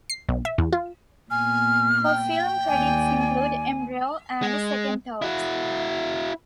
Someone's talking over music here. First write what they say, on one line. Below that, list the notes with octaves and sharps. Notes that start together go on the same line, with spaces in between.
Her film credits include "Embryo" and "Second Thoughts".
C7
B1
E5
E2
F4
A#2 B3 G#5 F6
G5
D#2 D5 G#5
G#3
E4 F#4